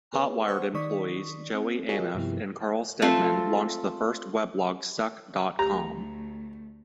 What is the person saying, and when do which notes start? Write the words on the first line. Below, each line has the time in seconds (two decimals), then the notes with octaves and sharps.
Hotwired employees Joey Anuff and Carl Steadman launched the first weblog Suck dot com.
0.13 B3 G#4 B4 C#5
0.48 C5 F#5 C#6
0.74 D#3 D#4 D5 C#6 D#6 B6
1.54 C4
1.89 F4 F#4 G#4 A#4 C#5 D#5
2.15 G2 C3 F3 B3 E4 G4
3.02 A3 C4 F4 A4
5.59 D2 A3 G4 A#5